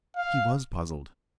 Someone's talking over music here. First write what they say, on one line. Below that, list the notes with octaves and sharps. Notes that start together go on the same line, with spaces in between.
He was puzzled.
F5